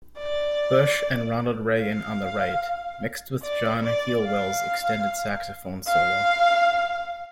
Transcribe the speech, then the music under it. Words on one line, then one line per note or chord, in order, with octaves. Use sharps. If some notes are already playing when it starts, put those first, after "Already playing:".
Bush and Ronald Reagan on the right, mixed with John Helliwell's extended saxophone solo.
D5
F5
D5
D5
F5
F5